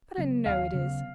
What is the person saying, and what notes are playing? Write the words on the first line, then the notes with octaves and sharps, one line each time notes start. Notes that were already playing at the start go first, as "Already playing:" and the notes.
But I know it is.
C#3 F#3 B3
D#2 F5
C#3 F#3 B3